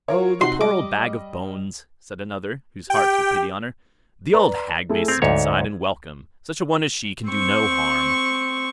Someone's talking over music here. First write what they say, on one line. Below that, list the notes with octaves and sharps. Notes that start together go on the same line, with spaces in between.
'Oh! the poor old bag-of-bones', said another, whose heart took pity on her, 'the old hag may sit inside and welcome; such a one as she can do no harm.'
F4 A#4 C#5
C3 D#4 F#4 C6
G3 D#5 D6
G4 G5
B4 D5 A#5
A3 E4 G#4
C4 G#6 F7
D2 G#2 C#5
C4 C#6